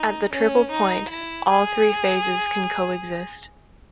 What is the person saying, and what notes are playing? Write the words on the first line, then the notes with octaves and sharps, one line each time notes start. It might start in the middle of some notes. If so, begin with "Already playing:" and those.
At the triple point, all three phases can coexist.
Already playing: D#4
C#4
D#4
E4
G#4